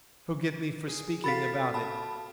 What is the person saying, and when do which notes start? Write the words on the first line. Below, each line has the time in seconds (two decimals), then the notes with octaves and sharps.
Forgive me for speaking about it.
0.88 G#4
1.24 F#4 A4 F5 B5 A6 B6
1.74 A5 B5